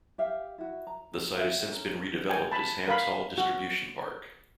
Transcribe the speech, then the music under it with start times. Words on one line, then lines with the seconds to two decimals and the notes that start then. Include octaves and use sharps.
The site has since been redeveloped as Hams Hall Distribution Park.
0.18 G4 E5 F5
0.58 E4 F#4
0.87 A#5
1.37 E5 F5
1.57 F#5
1.71 C#4 A#4
2.29 G5 G#5
2.52 A5 B5
2.88 A#4 F5 B5
3.38 F#4